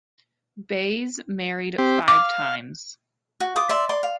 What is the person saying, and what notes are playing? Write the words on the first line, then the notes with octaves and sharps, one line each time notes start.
Bayes married five times.
C4 G4
F5 D6
F#4
F4 D6 D#6
D5 E5 C6
D5 C6 D6
F5